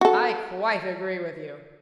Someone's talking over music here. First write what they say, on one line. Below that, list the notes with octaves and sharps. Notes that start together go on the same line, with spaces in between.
"I quite agree with you."
F#4 A4